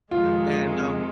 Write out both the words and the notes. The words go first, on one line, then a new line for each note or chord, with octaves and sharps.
And, um
F2 C3 D#3 G#3 F4